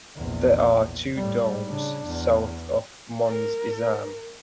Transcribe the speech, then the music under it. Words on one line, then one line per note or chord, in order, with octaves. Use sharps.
There are two domes south of Mons Esam.
A#1 E2
A2 G3
C#3 D4
E2
A#4